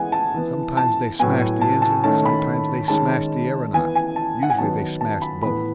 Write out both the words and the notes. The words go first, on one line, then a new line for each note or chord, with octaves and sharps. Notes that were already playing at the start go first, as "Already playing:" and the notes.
Sometimes they smashed the engine, sometimes they smashed the aeronaut, usually they smashed both.
Already playing: E3 G#3 B3 F#5 G#5
A5
E3 B3
A5
A2 F#3 B3 G#5
A5
A5
D#3 A3 C#4 A5
B5
D#3 G#3 C#4 A5
E3 B3 G#5
G#5
A5
F#5
G#5
D#3 F#3 B3 A5
A5
B5
A2 E3 B3 B5